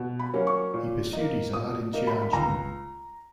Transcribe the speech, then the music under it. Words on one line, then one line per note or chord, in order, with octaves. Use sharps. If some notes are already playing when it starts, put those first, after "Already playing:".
He pursued his art in Tianjin.
Already playing: B2
B5
F#3 A#3 C#4
C#6
A#2
A#3 D#4
A#2 D#6
A#3 D#4
B5
B5
C#2 A#5